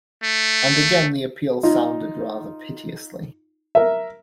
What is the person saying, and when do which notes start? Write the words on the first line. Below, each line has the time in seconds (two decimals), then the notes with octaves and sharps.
And again the appeal sounded rather piteously.
0.24 A3
1.63 D#4 F4
3.75 A#4 E5